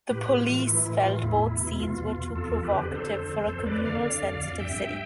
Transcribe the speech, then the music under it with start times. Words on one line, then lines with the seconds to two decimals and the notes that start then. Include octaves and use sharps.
The police felt both scenes were too "provocative" for a "communally sensitive" city.
0.10 A2 G4 B4
0.30 A2
0.38 F4
0.48 E3
0.66 E3 E4
0.85 A2
0.95 F4
1.04 A2
1.16 F4
1.23 E2 E4
1.41 E2
1.60 B2
1.78 B2 F4
1.97 E2
2.16 E2
2.36 F2 F4 A4
2.54 F2
2.63 G4 B4
2.72 D3
2.91 D3 A4 C5
3.10 F2
3.29 F2
3.47 F2 A4 C5
3.66 F2 B4 D5
3.85 D3 D5 F5
4.03 D3
4.22 F2
4.41 F2
4.59 G2 E5 G5
4.78 G2